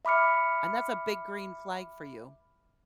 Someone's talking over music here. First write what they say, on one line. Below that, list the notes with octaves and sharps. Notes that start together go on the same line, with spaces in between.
And that's a big green flag for you.
E5 B5 D6 F6 C#7